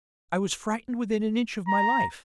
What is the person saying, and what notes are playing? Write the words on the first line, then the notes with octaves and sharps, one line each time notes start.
'I was frightened within an inch of my life.
A#5